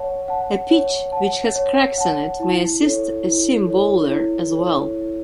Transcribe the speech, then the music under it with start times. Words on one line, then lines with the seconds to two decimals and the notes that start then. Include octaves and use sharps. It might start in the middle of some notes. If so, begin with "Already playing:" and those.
A pitch which has cracks in it may assist a seam bowler as well.
Already playing: C#5 F#5 A5
0.28 F#5 A5
0.70 C#5
1.12 F#5 A5
1.55 C#5
1.98 F#5 A5
2.40 E4
2.82 A4 C#5
3.24 E4
3.66 A4 C#5
4.09 E4
4.52 A4 C#5
4.93 E4